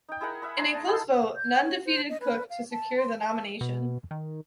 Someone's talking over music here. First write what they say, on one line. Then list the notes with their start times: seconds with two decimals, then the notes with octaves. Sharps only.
In a close vote, Nunn defeated Cook to secure the nomination.
0.09 D#4 G5
0.21 E4 G#4 A#4 F#5
0.42 E5 F#5 B5
0.57 E5 G#5 A#5 C6
0.74 A5
0.87 D#4 E4 G#4 A4
1.36 G6
1.62 C#5
1.85 C5
2.09 D#5
2.21 B4
2.50 F5
2.71 A5
2.98 C6
3.19 A5
3.61 B2
4.11 D#3